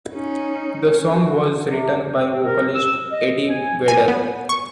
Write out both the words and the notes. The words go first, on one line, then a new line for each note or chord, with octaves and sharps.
The song was written by vocalist Eddie Vedder.
C#4 D#4
F#4
C3
C4
A#4
E6
D#5
G#5
G#5
B3
C#6